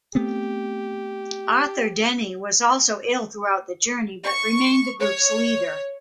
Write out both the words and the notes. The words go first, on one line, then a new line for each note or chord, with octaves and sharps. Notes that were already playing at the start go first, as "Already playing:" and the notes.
Arthur Denny was also ill throughout the journey, but remained the group's leader.
A3 B3 C4 G4
C#6
C#5